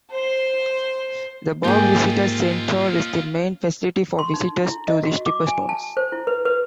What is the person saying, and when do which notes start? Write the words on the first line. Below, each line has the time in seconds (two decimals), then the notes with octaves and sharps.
The Bog Visitor Centre is the main facility for visitors to the Stiperstones.
0.12 C5 C6
1.64 G#2 A#3 F4 G4 G#4 D#5
4.19 C6
4.34 D#4
4.65 E4
4.88 D#5
5.03 F#4
5.26 D6
5.47 G#5
5.69 A5
5.97 C5
6.12 E4
6.27 B4
6.45 B4